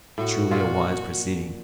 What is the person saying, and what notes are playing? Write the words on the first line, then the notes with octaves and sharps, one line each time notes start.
Truly a wise proceeding!
A2 F#4
A#2 F4